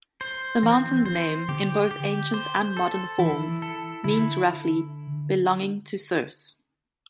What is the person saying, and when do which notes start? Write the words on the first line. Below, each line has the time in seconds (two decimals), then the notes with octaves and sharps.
The mountain's name, in both ancient and modern forms, means roughly, "belonging to Circe".
0.21 C5
0.63 E3 C4
1.05 C5
1.48 D3 G4
1.91 G4
2.34 C5
2.77 A4
3.19 E3 E4
3.62 A4
4.04 D3 E4